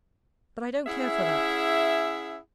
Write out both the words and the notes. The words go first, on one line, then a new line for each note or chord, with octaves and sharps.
But I don't care for that.
C#4 E4 G#4 E5 F#5